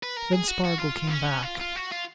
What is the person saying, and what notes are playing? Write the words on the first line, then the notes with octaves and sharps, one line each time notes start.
Then Spargo came back.
B4
A#4
G#4
F#4
F#4
F4
B3
C#4
F4
F4
F#4
F4